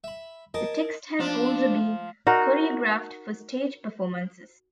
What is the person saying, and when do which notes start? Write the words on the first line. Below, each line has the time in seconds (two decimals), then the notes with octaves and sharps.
The text has also been choreographed for stage performances.
0.04 E5 B5
0.54 A#4 D#5 G#5 A5
1.20 F3 D4
2.27 D#4 F#4 A#4